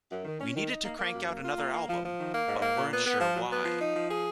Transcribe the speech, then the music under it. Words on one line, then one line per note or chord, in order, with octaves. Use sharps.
We needed to crank out another album, but weren't sure why...
F#2
D#3
C#4
D#3
D#4
A#3
A#3
F#2
A#3
F4
A#3
A#3
F3
F3
D#3
A#3
G#2
A#3
A#2
B3
B3
F3
F#3
B3
F3
D#4
F3
G#4